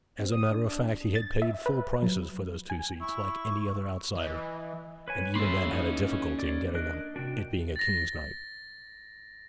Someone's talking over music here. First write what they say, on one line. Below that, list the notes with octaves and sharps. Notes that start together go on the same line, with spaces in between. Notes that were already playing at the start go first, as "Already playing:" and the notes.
As a matter of fact he had paid full prices for those two seats, like any other outsider, and even then had a difficulty in getting them, it being a King's night.
C4
D#6
D4
A6
E5
B4
F#3
G#5
E4 C#6
E3 D#5
B4 C#5 G#5
A#3 C#4 F#4 A4 E5 B5 C6
E3 D#4
D5
D4 A#4 D#5 F#6
C3 D4 F#4 G5
A6 A#6